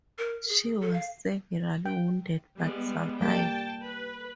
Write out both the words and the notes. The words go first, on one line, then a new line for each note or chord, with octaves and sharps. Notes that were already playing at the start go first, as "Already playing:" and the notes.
She was severely wounded, but survived.
A#4
G#4
A4
F5
G5
G3 G#3 B3
G3 A#3 G5 A5
B4